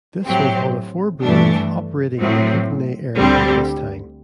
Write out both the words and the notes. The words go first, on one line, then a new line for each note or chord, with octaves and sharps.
This was one of four breweries operating in the Kootenay area at this time.
A2 F#3 C4 G4
G2 E3 A3 D4
A2 F#3 C4
D2 D3 G3 C4 G4